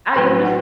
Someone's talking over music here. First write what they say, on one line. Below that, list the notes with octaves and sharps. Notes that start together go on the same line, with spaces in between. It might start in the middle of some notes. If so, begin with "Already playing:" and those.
I just
A2 F#3 B4
F#4